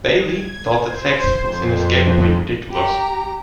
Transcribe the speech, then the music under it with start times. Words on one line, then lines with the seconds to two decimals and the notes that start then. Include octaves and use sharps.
Bayley thought that sex was inescapably ridiculous.
0.17 G#6
0.79 C5
1.36 F2
2.71 G4 A#5